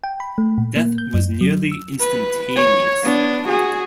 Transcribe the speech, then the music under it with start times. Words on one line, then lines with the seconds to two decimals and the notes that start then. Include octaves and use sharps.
Death was nearly instantaneous.
0.04 G5
0.20 B5
0.38 A3
0.58 A#2
0.77 A#3
0.98 G6
1.14 F#2
1.41 F#3
1.72 E6
2.00 B4
2.56 C#5
3.02 B3 D4
3.49 F#4 G#4